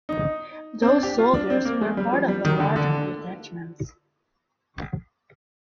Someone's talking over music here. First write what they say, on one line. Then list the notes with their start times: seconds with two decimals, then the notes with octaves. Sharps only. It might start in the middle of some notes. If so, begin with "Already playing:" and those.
These soldiers were part of a larger detachment.
0.09 D#4
0.82 C4
0.87 D4
1.03 G4
1.18 F4
1.34 D4
1.50 C4
1.65 A#3
1.81 G#3
1.97 G3
2.13 F3
2.28 G3
2.45 D#3
2.60 D3
2.76 D3